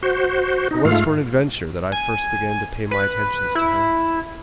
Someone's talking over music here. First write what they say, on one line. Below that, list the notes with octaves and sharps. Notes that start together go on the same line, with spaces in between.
It was for an adventure that I first began to pay my attentions to her.
F#4 C5
D#4
G#2 A3 F4 F5
G#5
B4
E4